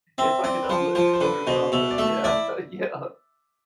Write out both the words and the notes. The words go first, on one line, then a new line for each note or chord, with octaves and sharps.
it's like an illusion or something. Yeah. Yeah. Uh,
C4 E5
C4 D5
B4
F3 C5
F3 C5
C5
D3 B4
B2 C5
B2 E5
D5
A3 E5
E4 D5